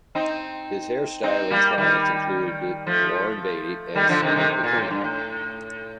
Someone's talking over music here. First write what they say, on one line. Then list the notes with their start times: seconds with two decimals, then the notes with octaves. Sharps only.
His hair styling clients included Warren Beatty and Steve McQueen.
0.15 C4 D#4
1.23 C4 D#4
1.50 G3 A#3
1.78 D#3 G3
2.87 F3 A3
3.95 D#3 G3
4.09 D3 F3
4.22 C3 D#3
4.36 C3 D#3
4.49 C3
4.63 A#2
4.77 A2
4.91 G2
5.04 A2